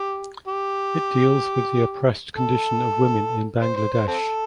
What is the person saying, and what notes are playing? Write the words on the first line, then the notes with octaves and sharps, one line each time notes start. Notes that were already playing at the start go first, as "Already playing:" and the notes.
It deals with the oppressed condition of women in Bangladesh.
Already playing: G4
G4
A4
C5
C5
C5
C4 A4